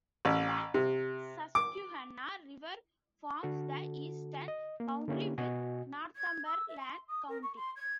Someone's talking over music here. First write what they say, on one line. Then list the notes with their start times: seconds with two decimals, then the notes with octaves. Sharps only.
The Susquehanna River forms the eastern boundary with Northumberland County.
0.25 A1
0.74 C3
1.55 D6
3.43 D3 F#4 A4
4.48 D#5
4.80 A#3
5.08 D3 A#3 C#4 E4 G4
5.38 B2 F#4 D#5 G#5
6.16 G#6
6.46 E6
6.68 E5
6.80 C6
7.08 D#6
7.28 A#4
7.42 C#6
7.56 C6
7.76 G#6